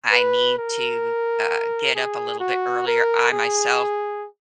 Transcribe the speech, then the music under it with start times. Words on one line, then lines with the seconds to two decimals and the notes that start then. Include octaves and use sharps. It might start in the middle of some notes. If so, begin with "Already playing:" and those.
I need to, uh, get up a little bit earlier, I myself
0.11 B4
0.58 A#4
1.95 G#4
2.40 F#4
2.87 A#4
3.32 G#4